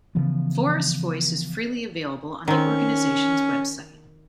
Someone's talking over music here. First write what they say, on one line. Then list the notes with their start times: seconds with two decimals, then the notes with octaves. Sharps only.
"Forest Voice" is freely available on the organization's web site.
0.15 C#3 E3 F3 B3
2.48 D#3 C4 C#4